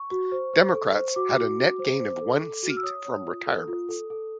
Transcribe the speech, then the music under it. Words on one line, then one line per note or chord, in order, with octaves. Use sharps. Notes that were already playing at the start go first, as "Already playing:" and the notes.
Democrats had a net gain of one seat from retirements.
Already playing: C#6
F#4
C5
C5
A4
C5
F#4 D6
F#4
F#4
C5
C5
A4
A4
F#4
F6
E6
C#5 D#6
C#5
F4
A4
F4
A4
A4